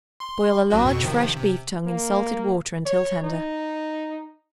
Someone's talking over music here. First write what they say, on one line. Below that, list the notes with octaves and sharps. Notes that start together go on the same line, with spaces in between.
Boil a large fresh beef tongue in salted water until tender.
C6
A1 F#3 F#4
F2 B2 C#6
C3 D#3 F3
C3
A#3
C#5
D#4